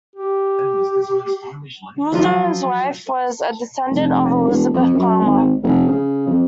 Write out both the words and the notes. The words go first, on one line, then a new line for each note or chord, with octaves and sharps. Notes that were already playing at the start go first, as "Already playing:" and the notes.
Hawthorne's wife was a descendant of Elizabeth Palmer.
G4
F3 F#3 F4
F1
E1
F2
F#2
G#1
F1
C#3
F2